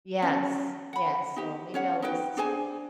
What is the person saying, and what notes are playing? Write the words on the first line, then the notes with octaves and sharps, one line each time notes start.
Yes, yes. So maybe I'll just
C#4
F#5 B5
D#4 G4
C#4 C#5 F#5
D#4 F#4 B4 G5
D4 G#4 C5 G#5